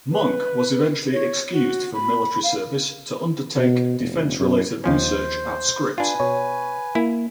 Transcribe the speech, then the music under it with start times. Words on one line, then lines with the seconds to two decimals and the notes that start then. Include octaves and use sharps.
Munk was eventually excused from military service to undertake defense-related research at Scripps.
0.12 B4
1.13 C#5
1.52 F#4
1.94 B5
2.44 F5
3.56 B2
3.99 F1
4.39 F#2
4.84 D#2 F3 C#4 C5
5.98 D4 F4 B4 G#5
6.20 B2 C#5
6.95 A#3 E4